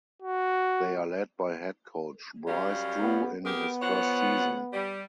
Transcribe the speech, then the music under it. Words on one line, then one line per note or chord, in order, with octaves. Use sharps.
They are led by head coach Bryce Drew in his first season.
F#4
F#2 G3 F5
B3
B3 G4 G#4 A#4
F3 C#5 F#5
G3